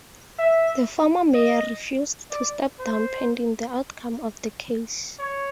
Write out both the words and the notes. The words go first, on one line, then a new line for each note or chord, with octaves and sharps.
The former mayor refused to step down pending the outcome of the case.
E5
D#5
D5
C5
C#5